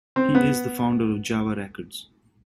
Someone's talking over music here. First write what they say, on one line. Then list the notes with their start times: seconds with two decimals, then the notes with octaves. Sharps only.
He is the founder of Java Records.
0.16 C4
0.35 B3